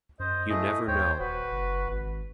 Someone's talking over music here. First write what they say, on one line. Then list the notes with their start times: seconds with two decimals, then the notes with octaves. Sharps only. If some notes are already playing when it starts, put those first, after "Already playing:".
You never know.
0.20 F#2 C5 D#5
0.49 A3 E4 G#4 D#5
0.87 D#2 C5 C#5 G5
1.20 D#1 F#4 B4
1.52 F#1
1.87 G#1